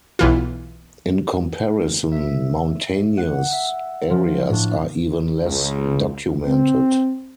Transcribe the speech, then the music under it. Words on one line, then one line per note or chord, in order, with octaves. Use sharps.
In comparison, mountainous areas are even less documented.
B1 E3 F4
E5 B6
F#5
E5
F3
A2 D4
C#2
C4